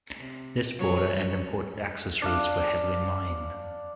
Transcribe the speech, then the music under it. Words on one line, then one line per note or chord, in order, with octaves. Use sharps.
This border and important access routes were heavily mined.
C3
F#2 F#3 C#5
D4 D5 F5